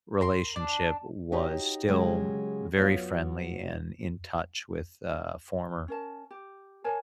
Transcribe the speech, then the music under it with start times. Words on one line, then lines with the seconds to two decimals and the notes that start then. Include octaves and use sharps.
relationship was still very friendly and in touch with a former
0.21 A#4 C6
0.56 D4
1.32 D#4 F#4 G4 C#5
1.88 C#3 F#3 G#3 G4
2.77 F#3 B3 F4
5.88 C#4 A#4 A5
6.31 G4
6.84 A#4 C#5 G#5 A5